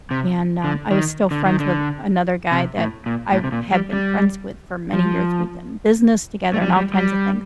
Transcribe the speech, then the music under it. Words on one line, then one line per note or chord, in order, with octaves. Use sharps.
and, um, I was still friends with another guy that I have been friends with for many years, we've done business together and all kinds of things.
C3
D3
D#3
D3
D#3
D3
C3
A2
A#2
A2
C3
A#2
G3
G3
F3
A3
G3
F3
G3
G3